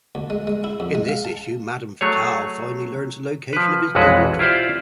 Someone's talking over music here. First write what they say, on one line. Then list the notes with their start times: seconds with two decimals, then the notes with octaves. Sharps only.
In this issue Madame Fatal finally learns the location of his daughter.
0.15 D2
0.30 G#3
0.47 G#3
0.64 E4
0.80 F2
0.95 G#3
1.09 F5
1.25 A5
2.01 F#3 A3 G#4 C#5
3.53 F3 B4
3.95 B1 F2 E3 G#3 F#4 B4
4.39 E4 F4 G4 C5 D5